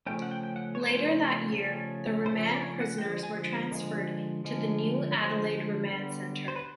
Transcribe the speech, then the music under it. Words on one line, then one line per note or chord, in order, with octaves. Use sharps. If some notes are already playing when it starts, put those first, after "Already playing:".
Later that year the remand prisoners were transferred to the new Adelaide Remand Centre.
C#3 F3 A3 C#4 G5
F#5
G5
G5
F#5
C#5
C#3 F3 A3 C#4 C5
C#3 F3 A3 C#4
C#3 F3 A3 C#4 C5
D5
C#5
F#5
D3 F3 G#3 G5
G#5
D3 F3 G#3
D3 F3 G#3
D3 F3 G#3 C5
D3 G3 B3
C5
B4